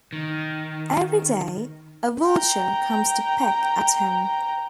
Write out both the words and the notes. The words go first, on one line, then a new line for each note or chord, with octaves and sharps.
Every day, a Vulture comes to peck at him.
D#3
G5 A#5